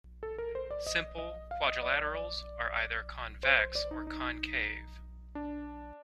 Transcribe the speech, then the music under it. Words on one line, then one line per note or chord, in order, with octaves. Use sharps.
Simple quadrilaterals are either convex or concave.
A4
A#4
C5
D5
D#5
D#5
F5
D#5
D5
D5
D5
C5
C5
D5
D#4
D#4
D4